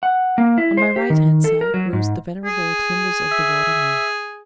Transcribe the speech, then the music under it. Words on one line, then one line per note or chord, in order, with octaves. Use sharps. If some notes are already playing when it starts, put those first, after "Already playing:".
On my right hand side rose the venerable timbers of the water-mill.
F#5
A#3
E4
C5
G4
D#3
A4
A#4
F#3
G#2
G#4
E5